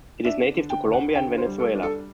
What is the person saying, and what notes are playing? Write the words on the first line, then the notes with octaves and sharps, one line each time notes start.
It is native to Colombia and Venezuela.
D4 E5
D3
G5
D2
F#5
D3 G5
C5
G3
A4
D4
A4